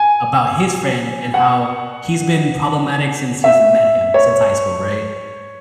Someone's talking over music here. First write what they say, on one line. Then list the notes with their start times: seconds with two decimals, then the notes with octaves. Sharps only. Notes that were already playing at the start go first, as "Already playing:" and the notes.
about his friend and how he's been problematic since he's met him, since high school, right?
Already playing: G#5
1.34 F#5
3.44 E5
4.14 C#5